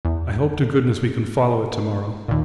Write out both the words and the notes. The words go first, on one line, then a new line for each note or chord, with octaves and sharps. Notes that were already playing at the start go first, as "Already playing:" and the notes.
I hope to goodness we can follow it to-morrow.
E2
D#2 A#2